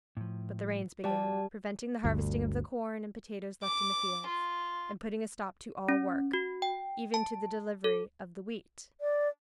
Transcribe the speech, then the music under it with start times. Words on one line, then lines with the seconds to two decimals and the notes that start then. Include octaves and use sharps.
But the rains began, preventing the harvesting of the corn and potatoes left in the fields, and putting a stop to all work, even to the delivery of the wheat.
0.17 A2 F3
1.04 G3 F#4 B4 D5 G5 A5
2.04 G1 D2 G2
3.63 D6
4.28 F4
5.89 C#4
6.33 F#4
6.62 G5
7.14 A5
7.84 A4
9.01 D5